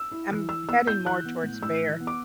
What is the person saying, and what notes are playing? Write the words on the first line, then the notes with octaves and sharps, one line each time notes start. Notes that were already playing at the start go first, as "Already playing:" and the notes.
I'm heading more towards bear.
Already playing: E6
E4
E3
E3 E6
B3 E6
E4 G6
E3 F#6
B3
A2
A2 E6
E3
B3
D6